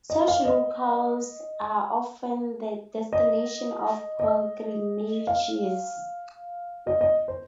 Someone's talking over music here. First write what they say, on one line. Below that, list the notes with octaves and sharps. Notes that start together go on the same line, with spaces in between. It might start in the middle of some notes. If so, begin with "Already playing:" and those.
Such locales are often the destination of pilgrimages.
D#5
F5
D#5
D#5
D#5
F5
D#5
D#5
C5